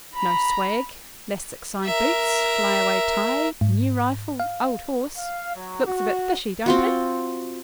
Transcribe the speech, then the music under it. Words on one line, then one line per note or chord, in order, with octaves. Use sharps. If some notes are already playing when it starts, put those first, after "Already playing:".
'No swag, 'lastic-side boots, flyaway tie, new rifle, old horse; looks a bit fishy don't it?'
A#5 B5
A#4 E5
G#2
F5
F5
F#3
F#4
C4 F4 F#4